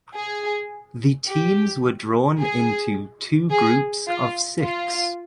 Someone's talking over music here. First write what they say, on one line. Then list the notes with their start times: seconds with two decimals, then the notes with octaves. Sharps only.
The teams were drawn into two groups of six.
0.15 G#4
1.28 G4
2.39 G#4
3.51 G#4
4.08 F4
4.62 F4